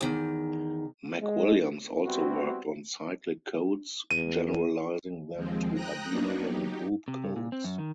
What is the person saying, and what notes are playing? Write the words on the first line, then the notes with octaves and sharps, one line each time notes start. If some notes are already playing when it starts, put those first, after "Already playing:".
MacWilliams also worked on cyclic codes, generalizing them to abelian group codes.
E2 D#3
G#3
G3 B3 C4 E4 F#4
E2 D#7
D#2 F3 G#3 C4
G5 A#5 D#6 F#6 A#6
F#3 A#3 B3 D4 D#4 F#4
F#3 D#4 G4
C3
G2
A#2
C4
F#2
D#3